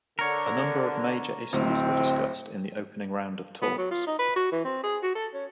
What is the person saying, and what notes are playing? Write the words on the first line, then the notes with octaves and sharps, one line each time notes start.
A number of major issues were discussed in the opening round of talks.
D3 A#4 C#5
D1 C4
B3
F#3
F4
D#4
B4
F#4
E3
C4
G#4
F#4
A4
C#4